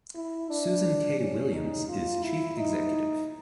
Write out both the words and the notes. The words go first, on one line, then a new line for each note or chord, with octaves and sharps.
Susan Kay-Williams is Chief Executive.
E4
D4
C#4
D#4
F4
E4
D#4